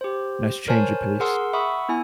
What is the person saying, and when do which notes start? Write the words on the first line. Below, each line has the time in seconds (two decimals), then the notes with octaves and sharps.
Nice change of pace.
0.01 G4 C5
0.68 A#4 C5 C#5 G#5 A5
1.20 G#4 A#4 F#5 C6 E6
1.53 E5 F#5 B5 C#6 D#6 E6
1.89 B3 E4 G#5